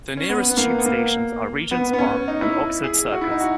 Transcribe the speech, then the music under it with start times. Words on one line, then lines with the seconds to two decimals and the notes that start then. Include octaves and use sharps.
The nearest Tube stations are Regent's Park and Oxford Circus.
0.17 C#4
0.29 B3
0.51 B3
0.57 A#3
0.78 B3
0.86 A#3
1.71 B3
1.93 B3
1.99 C#4
2.28 D#4
2.41 E4
2.84 G#4
3.12 F#4
3.21 E4
3.31 D#4
3.40 F#4